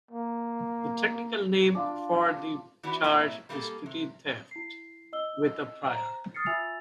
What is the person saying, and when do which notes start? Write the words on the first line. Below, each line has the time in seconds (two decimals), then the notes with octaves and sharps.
The technical name for the charge is petty theft with a prior.
0.11 A#3
1.75 D4 F4
2.83 E3 B3 D4 E4 F#4
3.04 G#2 A#3 E4 C#5 E5
3.49 G3 A#3 D#4 F4 G#4 A4
3.86 C3
4.51 E4 C7
5.13 D#5 E6 G7
5.86 C5 A#5
6.34 D#6 F6 A6 C7 C#7
6.46 F4 E5 G#5 E6 A6 F7